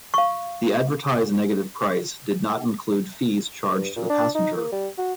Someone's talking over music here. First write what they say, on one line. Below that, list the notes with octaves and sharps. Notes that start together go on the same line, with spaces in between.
The advertised negative price did not include fees charged to the passenger.
F5 C#6
G2
A#2
D4
D#4
A#3
G3
F#4